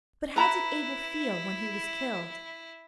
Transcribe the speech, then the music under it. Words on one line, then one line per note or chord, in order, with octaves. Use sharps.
But how did Abel feel when he was killed?
E4 B4 A#5 B5